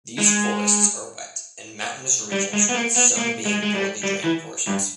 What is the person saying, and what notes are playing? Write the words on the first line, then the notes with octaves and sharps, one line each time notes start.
These forests are wet and mountainous regions with some being poorly drained portions.
G#3
G3
G#3
B3
A#3
B3
A#3
G#3
G#3
G3
G3
E3
G2